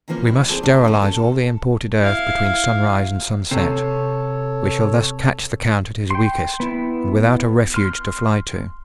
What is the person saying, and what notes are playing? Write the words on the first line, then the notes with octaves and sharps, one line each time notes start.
We must sterilise all the imported earth between sunrise and sunset; we shall thus catch the Count at his weakest, and without a refuge to fly to.
C3 E3 F3 A#3 C4 C#4
E4
C4 G#4 A4 D5
D3 A3 D4
A#3 C#4 A4
A4 A5
E4 F5
C3 A4 C#5
G5 C6
B3 E4
C6 F6